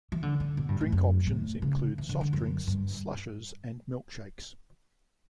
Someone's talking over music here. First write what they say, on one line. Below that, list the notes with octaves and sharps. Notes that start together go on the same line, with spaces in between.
Drink options include soft drinks, slushes, and milkshakes.
E3
D3
D3
B2
G2
A2
F#2
A2
C#3
E3
D3
D3
F#2
G2